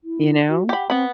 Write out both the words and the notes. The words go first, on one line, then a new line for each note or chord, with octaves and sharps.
You know?
E4
F#4
G4 F#5 B5
B3 C4 B5